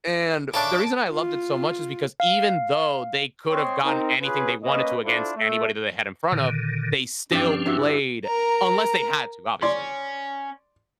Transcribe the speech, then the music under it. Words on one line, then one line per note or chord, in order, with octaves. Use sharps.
And, the reason I loved it so much is because even though they could’ve gotten anything they wanted to against anybody that they had in front of, they still played unless they had to, obviously,
C#3 D4 A4 C#5 E5 A5 D6
F4
F5
C4 C#5 D#5 G5 C6 C#6
C4 D#4 A#4
C#4 F4 G#4 B4
A#3 C#4 B4 D#5
D4 E4 F4 A4 C5
A3 A4 E5
A#2 D3 D#3
G2 F3 C4 C#4 D5 G5
G2 E4 F#4
A#4 A#5
C#4 D5 C6